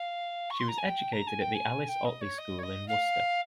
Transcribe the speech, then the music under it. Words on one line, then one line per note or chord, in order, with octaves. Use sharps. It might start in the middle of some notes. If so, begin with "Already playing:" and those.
She was educated at The Alice Ottley School in Worcester.
Already playing: F5
C#6
C6
A#5
G#5
G5
A#5
G#5
G5
G#5
G5
D#5
C#5
D#5
C#5
D#5
F5